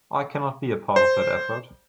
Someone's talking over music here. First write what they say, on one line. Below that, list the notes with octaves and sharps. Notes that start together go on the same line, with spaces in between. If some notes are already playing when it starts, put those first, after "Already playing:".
I cannot be a part of that effort.
C5